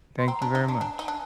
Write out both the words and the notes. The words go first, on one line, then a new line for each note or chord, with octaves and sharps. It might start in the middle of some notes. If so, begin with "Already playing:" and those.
Thank you very much.
C6
C4 A#5
D4
D#4
D4 A#5
D4 G#5
D#4
D4